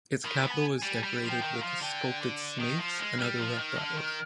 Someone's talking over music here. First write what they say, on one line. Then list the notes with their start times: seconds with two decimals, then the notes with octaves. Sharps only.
Its capital is decorated with sculpted snakes and other reptiles.
0.25 D#3 B5
0.43 B3
0.50 G#5
0.77 G#5
0.83 G3
0.93 G#5
1.03 G3 B5
1.23 F3
1.29 G5
1.42 D#3
1.55 F5
1.62 F3
1.81 D3 G5
2.20 D6
2.59 D#3 D#6
2.80 F3
2.86 F6
2.99 G#3
3.12 F6
3.19 G3
3.38 F3
3.58 D#3
3.78 D3
3.98 D#3